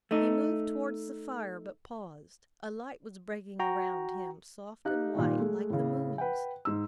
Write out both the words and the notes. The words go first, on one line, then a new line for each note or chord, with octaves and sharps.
He moved towards the fire, but paused; a light was breaking around him, soft and white, like the moon's.
A3 D#4
F#4 G5 A#5
D#4 G4 F5 F#6
A#2 D#3 G3
G#3 A3
A2 C#3
B4 F#5 G5
G#2 E6